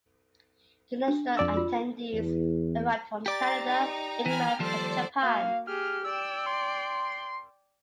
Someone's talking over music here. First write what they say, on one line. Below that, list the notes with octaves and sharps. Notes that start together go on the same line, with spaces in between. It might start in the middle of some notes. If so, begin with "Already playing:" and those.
International attendees arrived from Canada, England and Japan.
D4
F2 D5 E6
F4
E2
G4 D5 G5 A#5 A6
D#4
E3 G#5 B5 F6
D#2 F3 G3 A4 C5 D5 A5 C6
A#3 F#4 F5
G4 G#4 F6
D5 G5 E6
C6